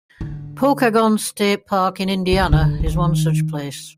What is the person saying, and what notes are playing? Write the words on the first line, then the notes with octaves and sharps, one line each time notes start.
Pokagon State Park in Indiana is one such place.
D3
D3
D#3
D3
D3
D#3